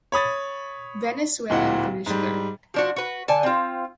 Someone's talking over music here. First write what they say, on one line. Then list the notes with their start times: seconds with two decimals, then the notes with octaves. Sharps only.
Venezuelan finished third.
0.12 C#5 B5 D#6 A6
1.50 D1 A#2 E4 F#5
2.06 G#2 G3
2.74 F3 D4 F#4
2.96 F#4 B4
3.28 D3 G#5 A5
3.43 C4 F4